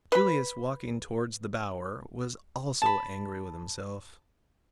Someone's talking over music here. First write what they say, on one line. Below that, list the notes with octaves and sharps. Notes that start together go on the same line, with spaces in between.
Julius, walking towards the Bower, was also angry with himself.
B4 B5
A5 B5